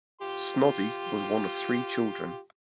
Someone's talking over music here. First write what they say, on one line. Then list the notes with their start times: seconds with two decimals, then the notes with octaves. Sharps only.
Snoddy was one of three children.
0.22 F4 G4 C6